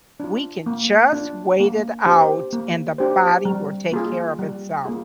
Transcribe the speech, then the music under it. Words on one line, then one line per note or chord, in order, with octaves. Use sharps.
we can just wait it out and the body will take care of itself.
D4 F4
A#3
D4 F4
A#3
D4 G4 C5
A#3
D4 G4 C5
G3
A#3 F4 G#4
G3
A#3 F4 G#4